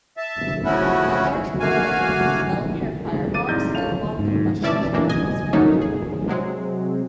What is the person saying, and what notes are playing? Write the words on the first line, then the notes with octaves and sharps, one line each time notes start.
A large boiler with a Belpaire firebox and long combustion chamber was fitted.
E5 A5
C#3 F3 A3 C#4 E4 F#4
A3 A#3 F#4 F5 G#5
G#3
F2 D6 A6 D#7
G#2 C3 E4 D5 D#5 G6
C#4 F4 A4 F7
G#2
E3 C#4 D5 E5 A5
A#1 F2 E3 A#3 D4
D#5 G#5
F3 F#3 A3 A#3 C#4 D#4
G#4
C3 F#3 G#3 C4